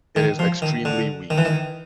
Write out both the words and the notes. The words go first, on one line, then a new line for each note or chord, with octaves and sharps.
It is extremely weak.
D#3
F3
D#3
D3
D#3
E3
D#3